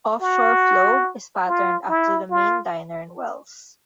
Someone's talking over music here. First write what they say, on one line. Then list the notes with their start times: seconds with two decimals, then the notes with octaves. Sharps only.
"Offshore" Flo is patterned after the Maine Diner in Wells.
0.22 F#4
1.47 F4
1.89 E4
2.31 F4